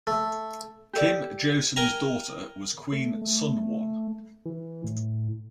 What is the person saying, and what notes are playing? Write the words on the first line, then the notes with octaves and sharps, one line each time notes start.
Kim Josun's daughter was Queen Sunwon.
A3
G4 A4 D5
A#4 G5 G#5 A#5
A3
A3
E3
A2